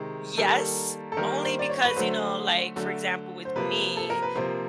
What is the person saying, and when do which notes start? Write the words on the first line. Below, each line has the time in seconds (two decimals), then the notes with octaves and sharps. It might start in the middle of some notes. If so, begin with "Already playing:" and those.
yes, only because, you know, like, for example, with me,
Already playing: C3 D#3 G#3
0.37 D#3 G3 A#3 A4
1.12 A4
1.17 D#3 G3 A#3 A#4
1.44 C5
1.59 D5
1.70 C#5
1.85 B4
1.96 D3 F#3 A3 C5
2.76 D3 F#3 A3
3.45 C5
3.56 C3 F3 A#3 B4
3.97 A4
4.10 A#4
4.22 B4
4.35 C3 F3 A#3 C5